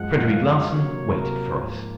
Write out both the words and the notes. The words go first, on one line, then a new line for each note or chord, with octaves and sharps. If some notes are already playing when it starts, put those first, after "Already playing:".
Frederic Larsan waited for us.
Already playing: F#2 F3 G#3 F#5
F5
C3 F#3 A#3 C#5
A#4
G#2 F3 A#3